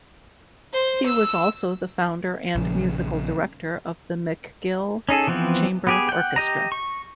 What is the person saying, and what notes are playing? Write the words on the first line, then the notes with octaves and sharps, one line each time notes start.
He was also the founder and musical director of the McGill Chamber Orchestra.
C5
E6
A#1 C#3 F3
C#4 D#4 G#4 A4
E3 F3 B3 C4
B3 G4 G#4
F#5 G5
G4 D#5 A#5
C#6